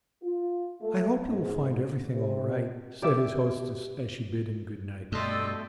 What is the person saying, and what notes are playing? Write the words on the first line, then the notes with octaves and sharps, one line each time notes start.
"I hope you will find everything all right," said his hostess as she bid him good night.
F4
A3
G#2
C3
G4 D5 E5 D6
G2 B2 A3 D5 D#5 G5 C6 E6